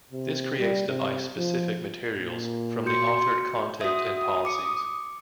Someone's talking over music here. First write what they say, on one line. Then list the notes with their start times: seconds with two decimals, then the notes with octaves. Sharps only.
This creates device-specific materials from the authored content and policies.
0.12 C3
0.59 G3
0.89 C3
1.37 F3
2.21 A#2
2.86 F#4 C6 G6 C#7
3.81 F#4 E5 D#6
4.45 D6 C#7